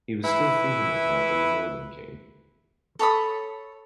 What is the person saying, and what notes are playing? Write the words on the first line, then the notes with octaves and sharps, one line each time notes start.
He was still thinking of her when the morning came.
E3 E4 B4
A4 C#5 B5 D#6